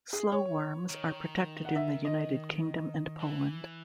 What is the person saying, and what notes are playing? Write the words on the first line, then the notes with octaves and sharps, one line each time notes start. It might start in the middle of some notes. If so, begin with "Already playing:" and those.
Slowworms are protected in the United Kingdom and Poland.
G#4
C#5
D#3
F#5
E5
D#5
E3